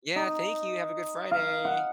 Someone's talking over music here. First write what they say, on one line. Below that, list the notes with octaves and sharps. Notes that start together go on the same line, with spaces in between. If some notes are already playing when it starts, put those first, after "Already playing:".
Yeah, thank you, have a good Friday.
D#4
F5
F#5